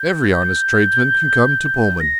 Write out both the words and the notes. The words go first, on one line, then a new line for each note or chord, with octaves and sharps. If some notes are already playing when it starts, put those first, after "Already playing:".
Every honest tradesman can come to Pullman.
Already playing: G6
G6
A#6